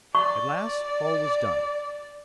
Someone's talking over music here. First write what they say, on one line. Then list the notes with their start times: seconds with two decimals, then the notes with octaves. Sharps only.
At last all was done.
0.15 D5 C#6